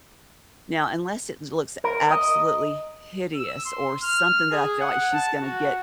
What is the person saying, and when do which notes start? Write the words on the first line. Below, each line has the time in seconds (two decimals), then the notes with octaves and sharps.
Now, unless it looks absolutely hideous or something that I feel like she's gonna get
1.84 A#4
2.11 D#5
3.36 E6
3.66 C6
4.03 F6
4.51 G#4
4.80 F#5
5.14 A5
5.42 F#4